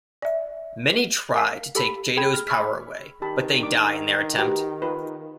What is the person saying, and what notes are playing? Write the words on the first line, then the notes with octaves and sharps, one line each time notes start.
Many try to take Jado's power away, but they die in their attempt.
D5 E5
A#4 F5 B6
G4 A4 B5 B6
G#4 G5 B5 G#6
F6
B5 C#6 E6 F6 B6
D#3 G4 A5 B5
D4 D6
F#4 G4 B4 A#5
F4 B4